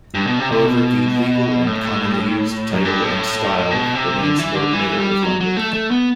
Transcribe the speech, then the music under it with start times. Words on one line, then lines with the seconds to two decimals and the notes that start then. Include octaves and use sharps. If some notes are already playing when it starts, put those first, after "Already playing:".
However, the legal and commonly-used title and style remains Lord Mayor of London.
0.14 G2
0.27 B2
0.39 C3
0.52 C3
0.66 B2
1.67 A2
2.72 F#2
2.85 G2
3.03 A2
3.71 B2
3.95 C3
4.22 D3
4.39 E3
4.55 D3
4.73 E3
4.98 G3
5.23 F#3
5.41 F#3
5.57 A3
5.74 A3
5.91 B3